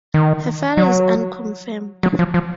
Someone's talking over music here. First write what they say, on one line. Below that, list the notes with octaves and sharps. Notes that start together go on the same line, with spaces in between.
Her father is unconfirmed.
D#3
F#3
F#3
F3
F3